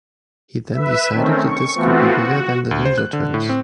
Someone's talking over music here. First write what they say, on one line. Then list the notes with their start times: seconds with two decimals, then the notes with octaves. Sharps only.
He then decided that This could be bigger than the Ninja Turtles.
0.73 B4 E5
1.12 D#3 A3 C4 C#4
1.44 C#6
1.75 E3 A3 B3 C4 F4 F#4
2.15 F#4
2.71 D2
2.85 C5
2.98 F#6
3.13 D3
3.34 A2
3.49 C4